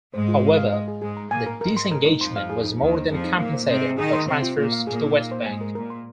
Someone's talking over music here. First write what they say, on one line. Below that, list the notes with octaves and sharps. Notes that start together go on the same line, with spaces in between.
However, the disengagement was more than compensated by transfers to the West Bank.
G#2 G#3 C5
F4
F4
F5
D#5
G#4
G#2 G#3 G#4
A#5
A#2 A#3 G#5
A#4
G#2 G#3 A#4
C6
A#4
D#4
F2 F3 C6
F5
G#4
D#4
D#2 D#3 D#4
C5
F2 F3 G#4
D#4
A#2 A#3 F5
C5
C3 C4 D#5
G#4
D#3 D#4 G#4
C6
C3 C4 C5
F4
A#2 A#3 F4
F5
A#2 A#3 G#4
D#4
F5
C5
G#2 G#3 G#5
A#4
A#2 A#4
C6